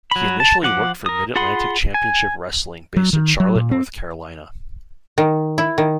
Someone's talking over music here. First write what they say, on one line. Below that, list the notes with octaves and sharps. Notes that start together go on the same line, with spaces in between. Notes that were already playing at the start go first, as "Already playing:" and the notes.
He initially worked for Mid Atlantic Championship Wrestling based in Charlotte, North Carolina.
F#3 B5
A5
F3 F#5 D6
A#4 D#6
F4 G#4 F#5 B5 C6
G#5
F#3
D#3
F#3
A#2
C4
D#3
E4
D#3